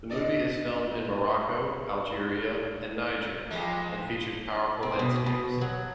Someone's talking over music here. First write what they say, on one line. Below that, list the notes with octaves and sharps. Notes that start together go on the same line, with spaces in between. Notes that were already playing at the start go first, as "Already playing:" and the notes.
The movie is filmed in Morocco, Algeria, and Niger and features powerful landscapes.
D4 D5 D#5
F2 F3 G#3
C4
B2
B2
F#3